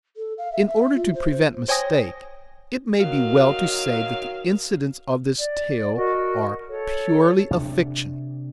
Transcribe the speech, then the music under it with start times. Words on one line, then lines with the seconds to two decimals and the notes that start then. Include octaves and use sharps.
In order to prevent mistake, it may be well to say that the incidents of this tale are purely a fiction.
0.16 A4
0.37 F5
0.51 E5
0.67 E5
0.94 F4
1.14 C5
1.31 C5
1.68 C5 C#5 G5 G#5 D#6 A#6
3.00 D#3 F#3 F#4 A#4 F5
5.37 D5
5.95 F#4 A#4 D#5
6.67 A4 C#5
7.51 C3 D4